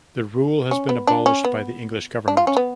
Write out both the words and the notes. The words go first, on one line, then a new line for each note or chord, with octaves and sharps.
The rule has been abolished by the English Government.
C#4
B3
D4
C#4
B3
D4
F4
C#4
B3